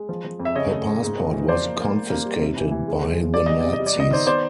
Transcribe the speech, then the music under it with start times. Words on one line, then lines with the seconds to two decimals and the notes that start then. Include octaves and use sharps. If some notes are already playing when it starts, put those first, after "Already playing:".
Her passport was confiscated by the Nazis.
Already playing: G#3
0.09 F3
0.25 F3
0.40 F2
0.45 E5
0.55 C#3 C#5 D#5
0.71 A3
0.87 C#3
1.02 G#2
1.18 E3
1.33 E3
1.48 F3 C5 D5
1.64 A#3
1.80 A#3
1.95 A#3
2.10 A#3
2.26 G3
2.41 C3
2.57 E3
2.71 E3
2.88 G#3
3.02 G#3
3.18 F3
3.34 G3 D5
3.46 E2 D#5
3.61 C3 D5
3.73 D#5
3.80 G3
3.86 D5
3.96 B3 D#5
4.10 D#3 C5 D5
4.26 B3 C5 D5